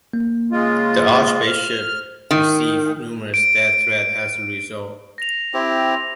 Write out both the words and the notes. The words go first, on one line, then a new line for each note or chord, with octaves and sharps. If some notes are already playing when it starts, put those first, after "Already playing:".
The Archbishop received numerous death threats as a result.
A#3
C#3 G#3 F4
C5 F6
D#3
D7
A#6 F7
C4 E4 G4